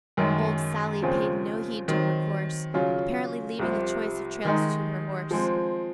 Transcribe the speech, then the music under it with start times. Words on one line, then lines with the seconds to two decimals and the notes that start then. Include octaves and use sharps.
Old Sally paid no heed to her course, apparently leaving the choice of trails to her horse.
0.17 F#2 D#3 G#3 C#4
1.02 D#2 C#3 F3 C4
1.88 D#3 F#3 C4
2.74 C#3 F#3 C#4 F4
3.59 C2 C3 F3
4.45 D#3 G#3 D#4
5.31 F3 G#3 C4